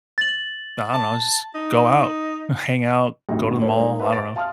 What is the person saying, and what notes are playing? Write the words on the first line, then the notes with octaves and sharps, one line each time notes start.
I don't know, I just go out, hang out, go to the mall, I don't know.
A6 F#7
A5
D#4
D#1 G#1 D2 F#3 G3 D#4
A3 A#3 C5 C#5
G#3 A#3 D#4
B4 C5 E5 F5 A5
A6 D7
F5 A5 C6 D#6 F6